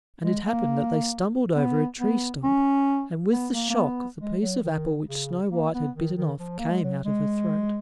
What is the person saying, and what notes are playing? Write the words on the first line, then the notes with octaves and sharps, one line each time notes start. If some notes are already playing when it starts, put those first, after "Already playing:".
And it happened that they stumbled over a tree-stump, and with the shock the piece of apple which Snow-white had bitten off came out of her throat.
G#3
A#3
B3
B3
C#4
B3
A#3
A#3
B3
G#3
F#3
D#3
C#3
A#3
B3
D#3
D#3
F3
A#3
G#3
F#3
G#3